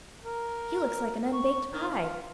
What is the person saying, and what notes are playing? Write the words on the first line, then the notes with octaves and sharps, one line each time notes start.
"He looks like an unbaked pie!"
A#4
C#6
D#3
F4